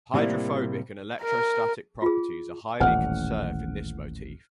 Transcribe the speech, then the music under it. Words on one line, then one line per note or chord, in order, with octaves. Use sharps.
Hydrophobic and electrostatic properties are highly conserved in this motif.
A2 C3 G3 G#3 A#3 E4
A#4
F4 G#4
D#1 A1 F#5 F6